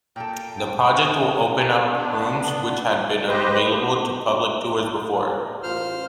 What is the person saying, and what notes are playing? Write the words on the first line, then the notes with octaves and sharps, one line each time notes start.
The project will open up rooms which had been unavailable to public tours before.
A#2 A#3 A4 G5
B3 D4
G4 B4 C5 D#5
A#4
A1 F4 C5 F6